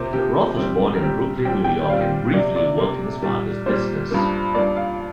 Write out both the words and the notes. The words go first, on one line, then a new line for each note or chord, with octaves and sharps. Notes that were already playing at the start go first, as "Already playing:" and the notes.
Roth was born in Brooklyn, New York and briefly worked in his father's business.
Already playing: C3 F3 A#3 C5
C3 F3 A#3 G4
A#2 G3 C4
A#4
A#2 G3 C4 G4
A#2 G3 C4 G5
G5
D5
A#2 G3 C4 F5
C3 A#3 D5
D5
C3 A#3
A#2 G3 A#3
A#2 G3 A#3 C5
G2 F3 A#3
G2 F3 A#3 D5
F5